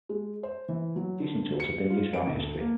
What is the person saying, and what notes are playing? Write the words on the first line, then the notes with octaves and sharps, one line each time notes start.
Juicing tools have been used throughout history.
G#3
C5
E3
F#3
D3
C#7
F4
D7
D2
A#3